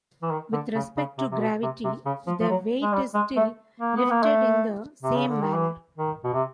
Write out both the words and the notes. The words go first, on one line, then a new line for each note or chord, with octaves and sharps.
With respect to gravity, the weight is still lifted in the same manner.
E3
D#3
D3
C#3
C#3
C3
C3
B2
C3
C3
C#3
F3
F3
F#3
G#3
G3
G#3
A3
A#3
B3
A#3
A3
C3
C#3
D3
D#3
E3
D#3
B2
C3